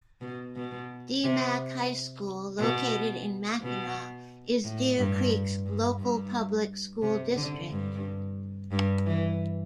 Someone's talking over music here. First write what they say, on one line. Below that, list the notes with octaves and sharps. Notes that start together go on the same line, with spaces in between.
Dee-Mack High school, located in Mackinaw, is Deer Creek's local public school district.
B2
B2
C3
B2
B2
A2
G2
G2
G2
C3
D3
G2
G2
E3